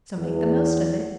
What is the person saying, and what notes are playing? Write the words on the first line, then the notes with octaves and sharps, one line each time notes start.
"So make the most of it."
E2